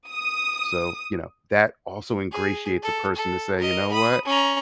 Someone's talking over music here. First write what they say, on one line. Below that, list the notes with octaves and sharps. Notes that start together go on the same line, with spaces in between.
So, you know, that also ingratiates a person to say, you know what?
D#6
G#4
A4
A4
A#4 D#5
B5 D#6
C#4 A#5